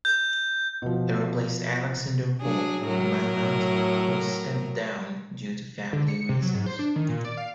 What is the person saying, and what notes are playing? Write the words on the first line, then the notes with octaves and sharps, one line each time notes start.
He replaced Alexandre Paul Maymat who stepped down due to family reasons.
G6
B2 F3
F#3 D4 G#4
A2 F#3 A#4
D3
C#7
C3
F#3
G#2
C5
D4
D#3
A#2
D5
F5